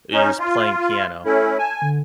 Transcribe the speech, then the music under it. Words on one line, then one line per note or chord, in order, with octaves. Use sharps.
is playing piano.
C#4 D#4
F4
A3 C#4 E4 A4
G#5 A5
D3